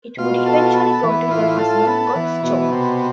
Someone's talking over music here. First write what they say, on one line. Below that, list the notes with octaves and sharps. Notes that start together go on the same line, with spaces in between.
It would eventually go to her husband Gottschalk.
B2 F4
A4
B3
E3
A2 F4
A4
B3
E3
B2 B3
C3